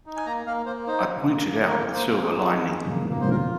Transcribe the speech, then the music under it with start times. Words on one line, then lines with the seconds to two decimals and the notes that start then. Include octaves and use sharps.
I pointed out the silver lining.
0.06 D#4
0.16 G#5
0.26 A#3 A#5
0.46 A#3 F5
0.66 A#3 C5
0.87 D#4 C5
1.07 A#3
1.28 A#3
1.48 A#3
1.67 A#3 A#4
1.88 A#3
1.95 C5
2.09 A#3
2.21 G#4
2.29 D#4
2.49 D#4
2.69 G#4
2.89 A#3
3.09 A#3
3.21 C5
3.30 F4 A#4